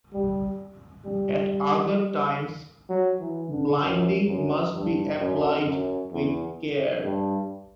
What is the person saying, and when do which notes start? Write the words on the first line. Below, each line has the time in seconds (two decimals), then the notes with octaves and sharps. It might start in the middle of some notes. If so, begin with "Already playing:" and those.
At other times, blinding must be applied with care.
0.13 G3
1.05 G3
2.89 F#3
3.20 E3
3.51 D3
3.81 F#2
4.28 F#2
4.74 G2
5.20 F#2
5.66 F#2
6.12 E2
7.04 G2